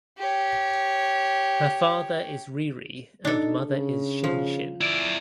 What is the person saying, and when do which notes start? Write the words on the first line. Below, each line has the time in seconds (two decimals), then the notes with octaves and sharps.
Her father is Ri Ri and mother is Shin Shin.
0.18 G4 C#5
3.25 D4 D#4 A4
3.69 C#3
4.24 F3
4.81 E4 D5